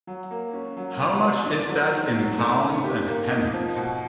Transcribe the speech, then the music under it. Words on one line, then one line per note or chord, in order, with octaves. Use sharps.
How much is that, in pounds and pence?
F#3
A#3
C#4
F#3
F#3
B3
D4
F#3
D#3
F#3
A3
D#3
G4
A#3
D#4
F3
B2